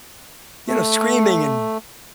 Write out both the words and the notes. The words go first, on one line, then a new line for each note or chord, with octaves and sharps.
you know, screaming and
A3